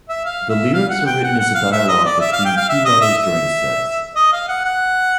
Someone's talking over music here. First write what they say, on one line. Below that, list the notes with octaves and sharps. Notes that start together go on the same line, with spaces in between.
The lyrics are written as a dialogue between two lovers during sex.
E5
F5
E5
F5
F#5
G5
F#5
F#5
F5
E5
D#5
D5
E5
F5
G5
F5
E5
D#5
E5
E5
D#5
F5
F#5
F#5